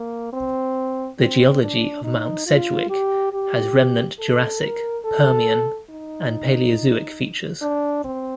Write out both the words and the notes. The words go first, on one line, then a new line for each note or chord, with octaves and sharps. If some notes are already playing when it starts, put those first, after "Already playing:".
The geology of Mount Sedgwick has remnant Jurassic, Permian and Palaeozoic features.
Already playing: A#3
C4
C4
D4
D#4
F4
G4
G4
A4
A#4
A4
D#4
D4
C4